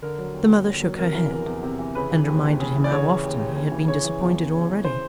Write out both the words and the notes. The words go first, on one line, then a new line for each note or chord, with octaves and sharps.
The mother shook her head, and reminded him how often he had been disappointed already.
D3 A#4
F#3
D#2
D#2
D3
F#3
C3 A#4
E3 A#4
E2 A#4
E2
C3
E3
C#3 B4
E3
D#2
D#2
C#3
E3
D5
C#3 C#5
E3
D#2
D#2
C#3
E3
C#3 C#5
E3
E2
E2
C#3
E3
C#3 C5